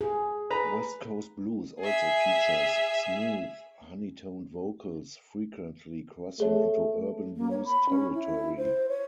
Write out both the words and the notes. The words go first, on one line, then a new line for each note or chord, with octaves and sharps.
West Coast blues also features smooth, honey-toned vocals, frequently crossing into urban blues territory.
G#4
B4 A#5
G#4 E5
A3 G#4 C#5
A#3
C#5
B5
C#4
E4
C5
C#5